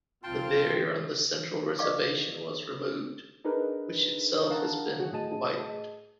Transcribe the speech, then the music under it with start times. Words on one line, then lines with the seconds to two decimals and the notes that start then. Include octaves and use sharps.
The barrier on the central reservation was removed, which itself has been widened.
0.23 C2 F2 C4 F4 G5 A5 C6
1.79 D5 D#5 F5 C#6 D6
3.44 D4 D#4 G#4 A#4 B4
4.49 D4 A#4 F5 F#5 A5 A#5
4.99 F#3 F#4 G#4 C#5 F#5
5.12 A2 G#4 D#5 A5 D#7